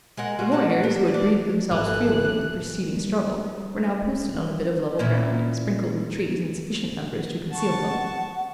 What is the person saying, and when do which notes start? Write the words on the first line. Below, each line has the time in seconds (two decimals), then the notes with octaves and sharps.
The warriors, who had breathed themselves freely in the preceding struggle, were now posted on a bit of level ground, sprinkled with trees in sufficient numbers to conceal them.
0.17 G#3 A#4 F#5
0.39 G3 F4 F#4
0.52 D#4 A4 C#5 F#5
0.84 G3
1.14 D4
1.71 G#1 E3 A#3 A4 F#6
2.97 G3
4.99 A#2 C#4 E4
7.51 F#5 A5 C#6